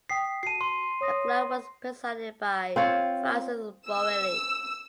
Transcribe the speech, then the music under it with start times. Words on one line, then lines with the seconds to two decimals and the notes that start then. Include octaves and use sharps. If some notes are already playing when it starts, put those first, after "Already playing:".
The club was presided by Francis Borelli.
0.10 G5 D#6 B6 C7
0.43 F#4 A5 C7 D#7
0.61 C6
1.01 C#5 D#6 A#6
2.76 C4 F4 C#5
3.88 E6